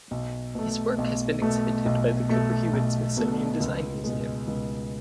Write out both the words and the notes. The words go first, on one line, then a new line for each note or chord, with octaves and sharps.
His work has been exhibited by the Cooper Hewitt Smithsonian Design Museum.
B1
B2 A3
B1
B2 A3
B1
B2 A3
B1
B2 A3
C#2
B2 G#3
C#2